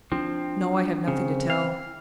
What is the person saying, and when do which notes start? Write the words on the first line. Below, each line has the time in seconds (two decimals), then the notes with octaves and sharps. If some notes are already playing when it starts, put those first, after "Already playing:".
"No, I have nothing to tell."
0.12 F3 C4 D4
1.08 C#3 C4
1.50 F5